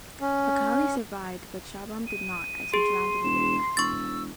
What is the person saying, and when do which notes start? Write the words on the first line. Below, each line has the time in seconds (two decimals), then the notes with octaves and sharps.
Akaili survived but Shabram did not as he drowned in the river.
0.21 C#4
2.07 D#7
2.74 G#4 C6
3.24 E1 E7
3.77 E1 C#6 E6 A6